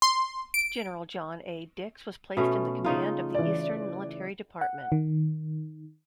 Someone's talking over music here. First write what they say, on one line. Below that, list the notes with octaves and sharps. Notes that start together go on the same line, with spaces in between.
General John A Dix was placed in the command of the Eastern Military Department.
C6
D7
B2 A3 C#4
C#3 D#4 F4
E3 D5
F#5
D#3